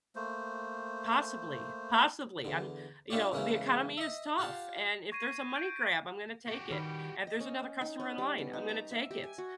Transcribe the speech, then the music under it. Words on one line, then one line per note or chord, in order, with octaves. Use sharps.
possibly, possibly, um, you know, the economy is tough and if there's a money grab, I'm gonna take it, and, there's another customer in line, I'm gonna take it."
A3 A#3 C5
E2 D3
D4 E4 F4 G4 C#5 D5
E2 C#3 G#3 A#3 C#4 E4
D#5 E5
F4 G4 F5 F#5 A5 C6
C#6 G#6 A#6 C7 D#7
G6 D7
F#4 G4
D#3 G3 B4
D#5
C#4
D#4
C#4
G3
B3
D#4
A#5
E5
G4
G#5
F#4